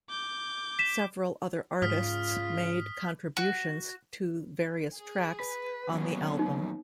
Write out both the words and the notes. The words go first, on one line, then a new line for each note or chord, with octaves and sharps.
Several other artists made contributions to various tracks on the album.
D6 G6
B6 E7
G#2 C#3 F4 D#6 F6 B6
F#4
G#4
B4
D#2 F#3 B3 C#4
D#4